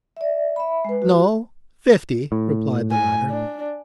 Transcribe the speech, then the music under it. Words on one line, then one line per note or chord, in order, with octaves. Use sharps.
"No, fifty," replied the latter.
D5 E5
E5 B5
G#3 B4
F#4
A2
G#5
D4